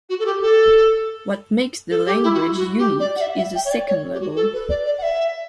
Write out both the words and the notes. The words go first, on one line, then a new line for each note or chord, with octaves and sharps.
What makes the language unique is the second level.
F#4
A4
G4
A4
A4
G4
E4
F#4
E4
F#4
G4
D5
F#5
E5
E5
G5
C#5
D5
C#5
G4
F#4
A4
B4
D5
D5
F#5
E5